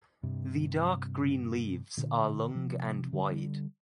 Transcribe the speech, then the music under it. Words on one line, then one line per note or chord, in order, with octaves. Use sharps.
The dark green leaves are long and wide.
G2 C3
A#2 D3
C3 F3
D3 G3